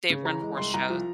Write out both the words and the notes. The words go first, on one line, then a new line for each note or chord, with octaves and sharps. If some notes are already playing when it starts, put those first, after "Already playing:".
they run horse shows,
C#3
E3 A#5
G#3
C2 C6
C2 A#5
F3